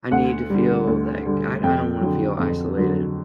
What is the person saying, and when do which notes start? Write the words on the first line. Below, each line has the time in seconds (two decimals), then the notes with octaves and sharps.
I need to feel like I I don't wanna feel isolated.
0.11 D2 F#5
0.50 D3 G3
0.87 D2
1.26 D3 G3
1.63 F2 G5
2.01 D3 F#3
2.39 F2
2.78 D3 F#3